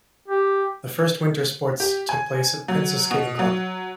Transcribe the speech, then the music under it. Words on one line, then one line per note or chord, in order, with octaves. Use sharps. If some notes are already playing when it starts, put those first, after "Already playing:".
The first winter sports took place at Prince's Skating Club.
G4
G4
G#5
F#3
B2
F#3